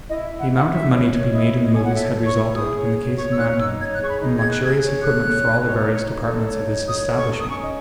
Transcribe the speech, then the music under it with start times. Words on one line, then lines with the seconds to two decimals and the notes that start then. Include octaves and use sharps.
The amount of money to be made in the movies had resulted, in the case of Manton, in luxurious equipment for all the various departments of his establishment.
0.09 E4 D#5
0.25 E5
0.30 E4
0.40 F#5
0.51 E4 F#5
0.71 E4 E5
0.91 C#5
1.12 C#5
1.33 E4 D#5
1.53 C#5
1.63 D#5
1.73 C#5 G#5
1.85 F#5
1.94 A4 E5
2.15 C#5
2.25 C#6
2.35 E4
2.55 G#4 D#6
2.76 C#5
2.97 C#5
3.17 C#5 C#6
3.31 E6
3.37 D#4 F#6
3.58 D#4 E6
3.79 C#5 G#6
3.94 F#6
3.99 G#4 C#6
4.09 B5
4.20 D#4
4.38 G#4 G#6
4.50 F#6
4.61 G#4 G#6
4.82 C#5
5.02 A4 F#6
5.22 C#5
5.43 D#4
5.64 C#5
5.84 D#4
6.04 D#4
6.25 A4
6.45 C#5
6.66 D#4
6.87 C#5 D#6
7.07 A4
7.18 C#6
7.27 D#4
7.39 D#6
7.48 C#4 C#6
7.62 D#5